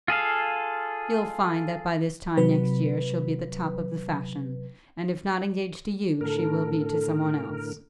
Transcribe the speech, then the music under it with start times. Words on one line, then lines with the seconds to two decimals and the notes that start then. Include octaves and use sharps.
You'll find that by this time next year she'll be the top of the fashion; and if not engaged to you, she will be to some one else.
0.08 F4 G#4 A4 F5
2.37 C3 F#3 B4
6.21 A2 D3 A4 A#4